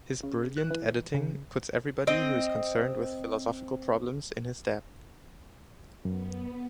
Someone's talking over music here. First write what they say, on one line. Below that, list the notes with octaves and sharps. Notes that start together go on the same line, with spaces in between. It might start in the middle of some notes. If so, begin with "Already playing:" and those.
His brilliant editing puts everybody who is concerned with philosophical problems in his debt.
C#3
F#6
E3
C#3
C4 D#5
F#2 B3